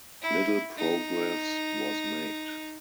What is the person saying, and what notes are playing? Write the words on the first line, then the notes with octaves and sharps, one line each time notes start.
Little progress was made.
E4
D#4